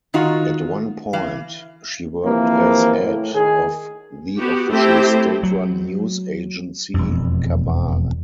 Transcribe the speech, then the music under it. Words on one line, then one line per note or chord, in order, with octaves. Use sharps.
At one point she worked as head of the official state-run news agency, Khabar.
D#3 D#4 F4 F#4
E3 F5
C3 E3 F3 A#3
A2
D#3 G#4
B3 F#4 G4
A3 C4 E4 G4 C5 G5
F#3
E1 F2